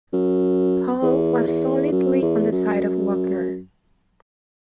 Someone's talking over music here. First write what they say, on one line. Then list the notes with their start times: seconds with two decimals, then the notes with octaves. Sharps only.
Pohl was solidly on the side of Wagner.
0.13 F#2
1.03 E2
1.47 E2
1.91 F#2
2.22 E2
2.52 F#2